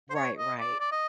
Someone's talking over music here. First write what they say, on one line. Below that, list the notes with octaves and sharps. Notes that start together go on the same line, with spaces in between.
Right, right.
C5
C#5
D#5
D5
D5
D#5